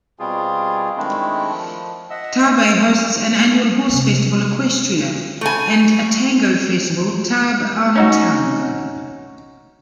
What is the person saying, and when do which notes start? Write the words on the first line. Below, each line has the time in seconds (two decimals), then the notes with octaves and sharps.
Tarbes hosts an annual horse festival, Equestria, and a Tango festival, Tarbes en Tango.
0.19 B2 G3 C4 F4 G#4
0.97 D#3 G#3 A3 C4 D4 E4
1.51 F3
2.10 D#5 E5 F#5 E6
3.89 C3 C4
5.41 A3 G#5
7.96 C#4 D#4 F#4